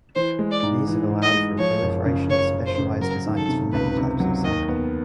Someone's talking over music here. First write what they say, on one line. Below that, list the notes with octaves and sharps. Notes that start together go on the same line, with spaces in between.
These have allowed for a proliferation of specialized designs for many types of cycling.
E3 C5
G#3
D5
G#2
E3
G#2
D#5
G#3
F3 C#5
F#1
C#3
C#3 C#5
F#1
C5
C#3
F#3 A#4
D#3
A4
C3
C#2 B4
C3
F#3
D#2 D#5
B3